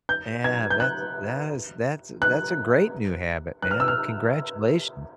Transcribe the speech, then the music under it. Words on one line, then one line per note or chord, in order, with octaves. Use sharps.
Yeah, that's that is that's that's a great new habit, man, congratulations.
G6
G#6
G6
F#6
F#6
F#6
F6
E6
F6